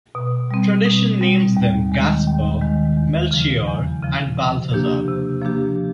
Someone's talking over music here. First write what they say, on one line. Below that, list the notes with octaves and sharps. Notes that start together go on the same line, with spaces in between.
Tradition names them Gaspar, Melchior and Balthasar.
B2
G3 C4
B2
G3 C4
D#2
D#3 G#3
D#2
D#3 G#3
E2
C#3 F3
E2
C#3 F3
C3
F3 A#3 D4 G4
C3
F3 A#3 D4 G4